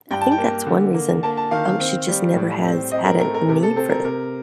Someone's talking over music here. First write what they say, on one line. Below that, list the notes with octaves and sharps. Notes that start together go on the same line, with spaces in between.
I think that's one reason, um, she just never has had a need for
G2 G5
A5
G5
A#3
D3
A#3
A#3 A5
A5
D#3 F5
F5
C4
G3
A2
C4
C4 D#5
A#4
A3 A#4
A#4
C3 A#4
A4
C4 A4
A#4
C3 A#4